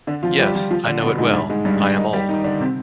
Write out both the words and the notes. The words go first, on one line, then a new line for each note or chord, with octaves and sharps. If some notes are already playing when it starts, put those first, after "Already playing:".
Yes, I know it well — I am old.
D3 D4
F3 F4
G3 G4
F3 F4
F3 F4
D3 D4
B2 B3
G#2 G#3
G2 G3
G#2 G#3
G2 G3
G2 G3
D#3 D#4
G3 G4
D#3 D#4
D3 D4
C3 C4